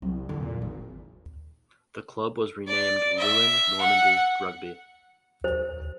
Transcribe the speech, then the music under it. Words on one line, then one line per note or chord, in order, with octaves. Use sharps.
The club was renamed Rouen Normandie Rugby.
C2 F#3
E2 D3
A#2
G#1 D#3
D5
E5
F#5
C5